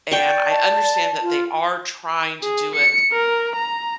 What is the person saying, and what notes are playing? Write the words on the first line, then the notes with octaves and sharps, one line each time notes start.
and I understand that they are trying to do it
D5 G5 C#6
A5
F4
G#4
C#7
A#4
A#5